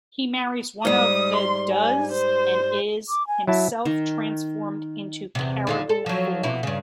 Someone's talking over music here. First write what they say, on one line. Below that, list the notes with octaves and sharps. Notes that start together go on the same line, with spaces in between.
He marries one of the does, and is himself transformed into caribou form.
G#2 G3 D#6
C6
G#5
C5
D6
G#5
F#3 E4 E5 A5
D#3
E2 C3
D#2 D3 F4
A4
F3 F#3
B2 E4
G2 C#3